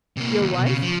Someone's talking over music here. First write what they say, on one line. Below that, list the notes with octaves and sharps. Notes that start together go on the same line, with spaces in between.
"Your wife?"
C3 A#3
D#2
B2
C#3
F3